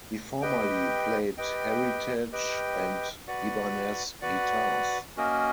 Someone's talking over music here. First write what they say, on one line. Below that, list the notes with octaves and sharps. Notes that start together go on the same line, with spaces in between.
He formerly played Heritage and Ibanez guitars.
G4 B4 D#5 G5
G4 B4 D#5 G5
G4 B4 D#5 G5
F#4 B4 D5 F#5
F#4 B4 D5 F#5
A#3 C#4 F#4 A#4 D#5